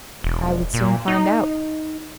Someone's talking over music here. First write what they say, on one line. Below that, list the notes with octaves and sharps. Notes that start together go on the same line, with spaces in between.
I would soon find out.
E1
A#2
D#4